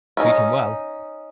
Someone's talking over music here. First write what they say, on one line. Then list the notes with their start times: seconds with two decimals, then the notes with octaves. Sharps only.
Treat him well!
0.17 C#4 D#4